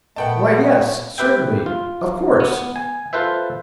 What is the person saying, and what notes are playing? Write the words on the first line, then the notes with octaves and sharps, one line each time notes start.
Why yes, certainly, of course!
A#2 A3 B3 D#5 F#5 G5 A5
G4 B4 E5 G5
F4
B3
G#5
F4 A4 B4 C5 E5